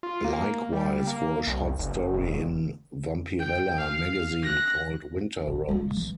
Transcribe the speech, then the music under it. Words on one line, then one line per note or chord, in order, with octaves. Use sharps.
Likewise for a short story in "Vampirella" magazine called "Winter Rose".
F4
A#3
G3
A#3
C2
F#1
E1
G5
F5
F#6 A#6
C#3
G#3 A#3
E3